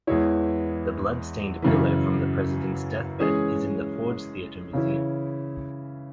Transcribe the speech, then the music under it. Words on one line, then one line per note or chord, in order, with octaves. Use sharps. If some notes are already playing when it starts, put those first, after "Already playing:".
The blood-stained pillow from the President's deathbed is in the Ford's Theatre Museum.
E2 E3 G#3 E4 C#5
F#2 C#3 E3
E3 G#3 C#4 G#4
C#3 E3 C#4 E4